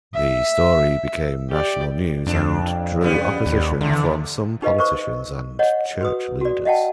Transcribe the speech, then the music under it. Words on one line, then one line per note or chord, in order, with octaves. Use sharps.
The story became national news and drew opposition from some politicians and church leaders.
E5
G4 D5
F2 D4
C#3 G3 B3
D#2
D#2 D3
D#4 G4 B4 D#5 F5
A#4 C5 C#6
C#5 D#5 F#5
F#4 B4 D#6
F#4 D5
D#5 E5 F#5 G5 A5